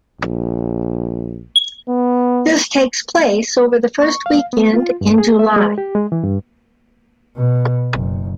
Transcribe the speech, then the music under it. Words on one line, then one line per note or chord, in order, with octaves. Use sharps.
This takes place over the first weekend in July.
A#1
B3
C#6
F5
B3
F4
G2
G#4
E5
G#3
G4
G#3
E3
G2
B2
F#1